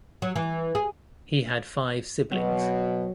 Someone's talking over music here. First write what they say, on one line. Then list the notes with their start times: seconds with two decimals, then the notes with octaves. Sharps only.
He had five siblings.
0.22 F#3
0.36 E3
0.75 G#4
2.31 B2 F#3 C4